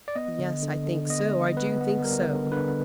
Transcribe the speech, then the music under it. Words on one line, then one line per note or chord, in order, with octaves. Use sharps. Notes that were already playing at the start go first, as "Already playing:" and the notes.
"Yes, I think so; I do think so."
D5
B3 D#5
D3
D3
D3
B3 D#5
G3
B3 B4
B3
G3 A#4
D3
D3 B4